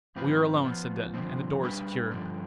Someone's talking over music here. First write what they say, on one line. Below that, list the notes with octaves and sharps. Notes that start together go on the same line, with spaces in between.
"We are alone," said Denton, "and the door is secure."
G#2 F3 C4 F4 B4
F3 B3 F4
G2 D3 F3 C4
G3 D4 G#4 B4
G2 D3 F3